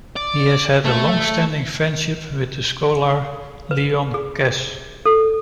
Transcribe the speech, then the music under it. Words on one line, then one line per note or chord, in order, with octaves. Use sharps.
He has had a long-standing friendship with the scholar Leon Kass.
D5
A3
B4
G#4
A4